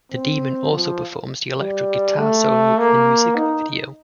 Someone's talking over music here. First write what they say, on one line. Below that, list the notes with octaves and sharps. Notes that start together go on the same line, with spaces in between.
The demon also performs the electric guitar solo in the music video.
C4
F3
G3
A3
A#3
D#4